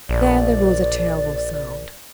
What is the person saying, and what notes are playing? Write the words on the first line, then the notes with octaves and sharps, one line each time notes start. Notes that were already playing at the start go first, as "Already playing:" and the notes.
Then there rose a terrible sound.
A#1 D5